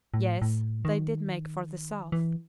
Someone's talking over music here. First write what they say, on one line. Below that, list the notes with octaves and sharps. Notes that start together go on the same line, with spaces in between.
Yes, they did make for the south!
A2
A2
D#3
E3